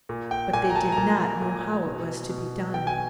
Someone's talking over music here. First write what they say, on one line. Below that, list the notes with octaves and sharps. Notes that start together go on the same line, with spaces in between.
But they did not know how it was to be done.
A#2
G5
A#2 G#5
A#5
A5
A#5
A#2 A5
A#2
B2
B2
B2 G5
G#5